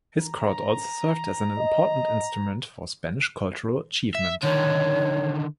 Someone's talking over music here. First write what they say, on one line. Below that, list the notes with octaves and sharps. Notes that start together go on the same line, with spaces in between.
His court also served as an important instrument for Spanish cultural achievement.
A#5
D#5
E5
D3 D#3 C#5